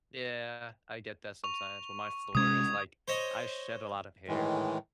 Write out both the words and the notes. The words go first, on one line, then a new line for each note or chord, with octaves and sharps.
Yeah, I get that sometimes, when my floor is like I shed a lot of hair.
C#6 F7
C3 G#3 C#4 D#6 G#6
C5 C#5 D#5
A2 D#3 E3 G#3